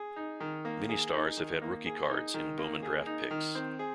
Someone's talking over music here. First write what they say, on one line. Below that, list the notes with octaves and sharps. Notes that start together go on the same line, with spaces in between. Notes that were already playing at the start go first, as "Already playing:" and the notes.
Many stars have had rookie cards in Bowman Draft Picks.
Already playing: G#4
D#4
D#3
A#3
G#4
D#4
D#3
A#3
G#4
D#4
D#3
A#3
G#4
D#4
D#3
C4
G#4